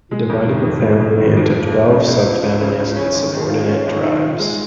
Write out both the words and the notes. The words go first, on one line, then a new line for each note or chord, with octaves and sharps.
He divided the family into twelve subfamilies and subordinate tribes.
G#3
F2
D#3
F2
G#3
F2
D#3
F2
F3
C#2
C#3
C#2
F3
C#2
C#3
C#2
C#4
D#2
D#3
F4
C#4
D#2
D#3
F4
G#3